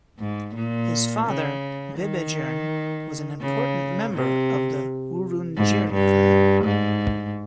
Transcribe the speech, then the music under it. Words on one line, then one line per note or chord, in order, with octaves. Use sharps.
His father, Bebejern, was an important member of the Wurundjeri clan.
G#2
A#2
C#3
D#3
C#3
C3
G#2
G2
G#2